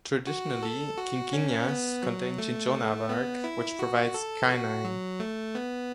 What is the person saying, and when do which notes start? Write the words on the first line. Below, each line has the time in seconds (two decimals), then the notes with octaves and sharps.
Traditionally quinquinas contain cinchona bark, which provides quinine.
0.27 F#4
0.63 A4
0.97 F#4
1.33 C#4
1.68 B3
2.03 F#3
2.38 A3
3.09 B3
3.44 E4
3.79 F#4
4.14 A4
4.50 F#4
4.85 F#3
5.20 A3
5.55 B3